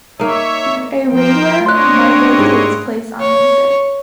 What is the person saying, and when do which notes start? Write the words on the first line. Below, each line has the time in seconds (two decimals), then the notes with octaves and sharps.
A regular market takes place on Wednesdays.
0.20 A#3 D#4 C#5 E5
1.10 F3 A#4 C5 G5
1.66 A3 C4 D4 C#5 D#5 C6 F#6
2.37 G#2 E4 G4
3.20 C#5